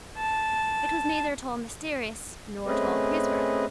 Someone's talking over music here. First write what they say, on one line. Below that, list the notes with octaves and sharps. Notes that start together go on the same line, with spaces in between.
It was neither at all mysterious nor at all praiseworthy.
A5
A3 C4 C#4 G#4 B4 D#5